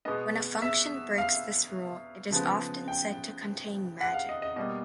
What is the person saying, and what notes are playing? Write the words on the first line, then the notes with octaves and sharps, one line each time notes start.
When a function breaks this rule, it is often said to contain "magic".
B2 G#3 B3 D#5
E5
F5
C#3 F3 G#3 B3
G5
F#5
F5
D#5
D#5
B2 G3 A#3 D#5